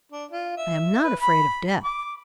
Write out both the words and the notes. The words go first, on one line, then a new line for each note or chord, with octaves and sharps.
I am not afraid of death.
D4
F4
E5
B4
B5
D6